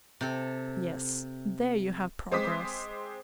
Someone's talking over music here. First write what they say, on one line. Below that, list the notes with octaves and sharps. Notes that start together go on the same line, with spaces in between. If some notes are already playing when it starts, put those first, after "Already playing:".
Yes, there you have progress.
C3 A4
G#3 C4 C5 D6 D#6 B6